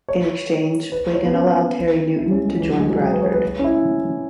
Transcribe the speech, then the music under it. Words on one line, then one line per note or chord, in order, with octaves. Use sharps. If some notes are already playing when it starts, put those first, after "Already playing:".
In exchange, Wigan allowed Terry Newton to join Bradford.
C#5
B4
C#5
B3
C#4
E4
C#4
G#3
E3
F#3
G#3
F#3
G#4
B4
C#5
B4
C#4
E4